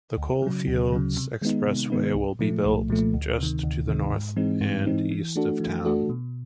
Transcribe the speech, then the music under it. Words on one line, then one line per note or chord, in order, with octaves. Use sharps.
The Coalfields Expressway will be built just to the north and east of town.
D2
C#3 F#3
D2
C#3 F#3
C3
D#3 G#3 B3 D#4
C3
D#3 G#3 B3 D#4
C2
A#2 F3 A3
C2
A#2 F3 A3
D2
C3 D#3
D2
C3 D#3
G#2
E3 G#3 C4 D#4
G#2
E3 G#3 C4 D#4
E3
A3 D4 F#4 A4
E3
A3 D4 F#4 A4
B2